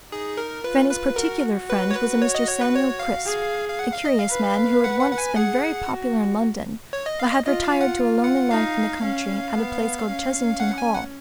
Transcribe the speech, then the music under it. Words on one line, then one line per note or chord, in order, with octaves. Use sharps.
Fanny's particular friend was a Mr. Samuel Crisp, a curious man who had once been very popular in London, but had retired to a lonely life in the country at a place called Chesington Hall.
D#4 G#4
A#4
F4 B4
B4
F#4 A#4
B4
C#5
B4
C#5
D#5
C#5
B4
C#5
F5
G#4
F5
F#5
F5
D#5
F5
B4
F#5
F#5
F#5
G#5
G#4 F#5
F#4
C#5
D#5
F5
D#5
F4 D#5
F5
F#5
F#5
D#4 F5
C#4
B3
C#4
F#5
G#5
F#5